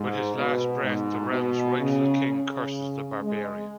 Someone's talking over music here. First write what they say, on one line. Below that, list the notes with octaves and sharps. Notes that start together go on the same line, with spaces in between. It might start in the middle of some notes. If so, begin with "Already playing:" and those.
With his last breath, the realm's rightful king curses the barbarian.
Already playing: G#2
B2
G#2
B2
C#3
C#3
G#3